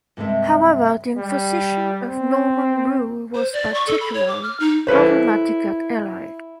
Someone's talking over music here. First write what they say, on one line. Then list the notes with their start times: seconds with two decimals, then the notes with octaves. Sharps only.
However the imposition of Norman rule was particularly problematic at Ely.
0.17 G2 C3 G#3 E5
1.17 G3
2.07 C4
3.35 C5
3.53 D5
3.74 C#6
3.87 A4
4.00 B5
4.14 C#5
4.28 D6
4.43 F6
4.60 D#4
4.87 E4 A4 B4 C5